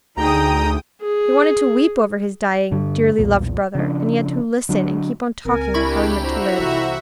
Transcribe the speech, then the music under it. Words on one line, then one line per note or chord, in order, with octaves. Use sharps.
He wanted to weep over his dying, dearly loved brother, and he had to listen and keep on talking of how he meant to live.
D2 D#4 G#4 G5 A#5 D#6
G#4
G2 D3
B1 E2 A#2
C#3 F3 D4
D3 F#3 D4
C#2 C4 A#4 G#5
D4 E4 G4 B5 C#6
F2 F#4 C5 E5 A#5
C2 E3